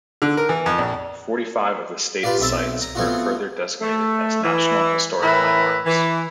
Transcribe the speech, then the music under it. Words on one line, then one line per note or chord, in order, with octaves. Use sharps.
Forty-five of the state's sites are further designated as National Historic Landmarks.
D3
A#4
E3
F2
A#1
F4 G4 B4 D5 F5
B1 C4 E5 A5
A#5
F3 A3 B3 C4 F4 F#4
A3
E3
A2 E3 A#4 B4 E5 B5
E3